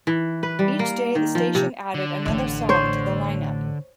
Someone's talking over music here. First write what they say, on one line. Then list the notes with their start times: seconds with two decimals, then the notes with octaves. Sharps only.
Each day the station added another song to the line up.
0.07 E3
0.43 B4
0.59 G3
0.79 A#3
1.15 D#3
1.35 F3
1.55 C3
1.94 D3
2.26 A1 A2
2.69 C5 C#5